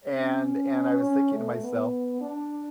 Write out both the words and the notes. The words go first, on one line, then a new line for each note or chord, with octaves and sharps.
And and, I was thinking to myself,
C#4
C#4
A3
B3
D4